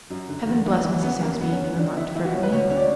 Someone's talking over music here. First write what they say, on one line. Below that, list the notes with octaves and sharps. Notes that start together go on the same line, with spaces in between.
"Heaven bless Mrs. Saxby," he remarked fervently.
F#2
D3
E2
E3
E3
C#3 B3
E2 A#3
F#2 B3
C#4
D3
B3
C#2 D4
C#2 E4
C#2 E4
F#4
B2 C#5
B4
D2 C#5
C#3 C#5
D5